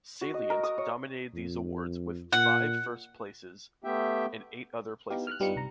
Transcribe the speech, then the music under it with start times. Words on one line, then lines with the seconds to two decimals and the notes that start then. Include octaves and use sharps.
"Salient" dominated these awards with five first places and eight other placings.
0.21 F#4
0.34 D#5
0.50 A#4
0.63 D#6
0.78 C#5
1.34 F2
2.32 A#2 F#5
3.84 A3 B3 G4 E5 G5
5.10 B3 D#4 E4 G4 F5
5.27 F6 F#6
5.40 G2 G3 B3 D#4 F4 C#7
5.56 C2 A#5